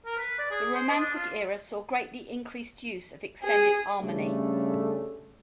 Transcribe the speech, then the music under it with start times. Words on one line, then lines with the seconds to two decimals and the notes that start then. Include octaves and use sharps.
The Romantic era saw greatly increased use of extended harmony.
0.06 A#4
0.18 B4
0.39 D5
0.51 G#4
0.74 C5
0.88 D#5
1.00 D4
1.15 F4
3.43 G#4
4.00 C#3 G3 A3 C#4 D4 A4